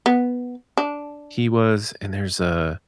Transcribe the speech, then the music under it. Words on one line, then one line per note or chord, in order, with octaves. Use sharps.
He was, and there's a
B3
D4